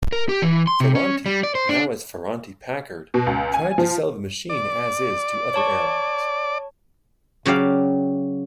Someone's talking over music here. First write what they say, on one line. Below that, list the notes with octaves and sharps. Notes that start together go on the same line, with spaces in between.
Ferranti, now as Ferranti-Packard, tried to sell the machine as-is to other airlines.
A#4
G4
E3
C6
C3
C#4
G3
D5
C5
D4
B2
C#2
G#5
F3
D5
C#5 A5 C#6
C#3 F#3 G4 D5 F5